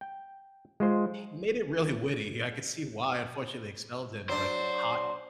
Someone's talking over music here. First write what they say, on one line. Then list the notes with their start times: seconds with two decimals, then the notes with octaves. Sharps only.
he made it really witty, I could see why, unfortunately, they expelled him. Be like, it hot
0.01 G5
0.80 G#3 F4 C5
4.29 F#3 D4 C5